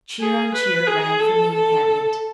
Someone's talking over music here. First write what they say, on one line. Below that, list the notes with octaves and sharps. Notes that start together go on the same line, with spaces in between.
Cheer on cheer rang from the encampment.
G#4
B4
G#4
A4
A4